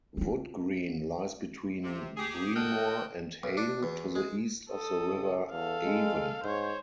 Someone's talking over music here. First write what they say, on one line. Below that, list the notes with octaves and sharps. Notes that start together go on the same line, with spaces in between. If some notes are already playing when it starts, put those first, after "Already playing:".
Woodgreen lies between Breamore and Hale to the east of the River Avon.
C4 F4
C3
G4 G#4
F#4 A4 A#4 D#5 F#5 G5
B1
D4
E2
G#3
A4 D#6
C#2
E2 A4 F5
G#3
G#2 C5 C#5